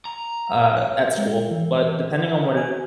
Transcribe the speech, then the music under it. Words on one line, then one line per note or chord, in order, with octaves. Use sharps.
uh, at school. But depending on what it
A#5
C#5
G#3
E3
F#5
G#5